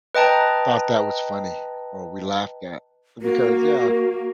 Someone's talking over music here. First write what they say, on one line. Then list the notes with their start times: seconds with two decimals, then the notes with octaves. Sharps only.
thought that was funny or we laughed at because yeah,
0.15 B4 D#5 G5 A5 A#5
3.22 A#3 F#4